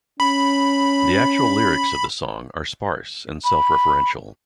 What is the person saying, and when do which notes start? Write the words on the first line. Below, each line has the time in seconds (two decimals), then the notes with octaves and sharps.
The actual lyrics of the song are sparse and self-referential.
0.20 C#4 B5
3.44 B5